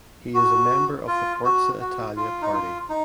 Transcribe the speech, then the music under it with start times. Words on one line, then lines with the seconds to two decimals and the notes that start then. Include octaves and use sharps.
He is member of the Forza Italia party.
0.34 F#4
1.08 F4
1.44 F#4
1.80 F#4
2.16 F4
2.42 D#4
2.53 F4
2.89 D#4